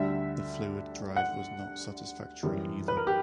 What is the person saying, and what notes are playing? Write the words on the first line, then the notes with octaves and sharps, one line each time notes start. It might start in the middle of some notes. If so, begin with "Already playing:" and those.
The fluid drive was not satisfactory either.
Already playing: D2 D3 G3 E5
F#5
F#2 E3 G3
B4
A#4
G4